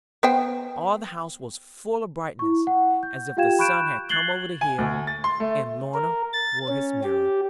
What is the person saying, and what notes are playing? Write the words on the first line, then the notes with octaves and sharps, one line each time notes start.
All the house was full of brightness, as if the sun had come over the hill, and Lorna were his mirror.
B3 C5 G5
E4 C#6
F#5
G6
F4 G4 F5 G5 G#6 E7
B5 C#6 F#6 G6 D7 E7
F#6 G#6 A6 C7 F#7 G7
G#5
D2
A6
C6
A3
A#4
A6
C#4
G4